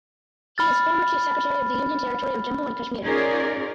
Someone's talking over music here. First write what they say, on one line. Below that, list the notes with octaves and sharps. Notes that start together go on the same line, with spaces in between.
He is former Chief Secretary of the Union Territory of Jammu and Kashmir.
B5 F6 A6
C#4 D#4 F4 G#4 A#4 D5